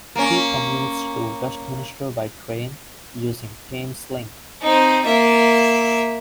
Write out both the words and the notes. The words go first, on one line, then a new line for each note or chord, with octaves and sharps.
He commutes to Westminster by train, using Thameslink.
A#3 C#4
C4 D#4
A#3 E5